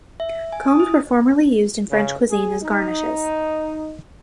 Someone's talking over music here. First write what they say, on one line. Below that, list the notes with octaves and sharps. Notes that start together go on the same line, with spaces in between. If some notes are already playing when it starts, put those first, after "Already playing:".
Combs were formerly used in French cuisine as garnishes.
E5
G#5
D#6
E4
C#3
G#4
D#4